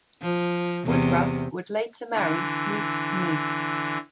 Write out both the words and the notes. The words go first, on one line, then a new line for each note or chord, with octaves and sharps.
Woodruff would later marry Smoot's niece.
F3
E2 C3
D3 E3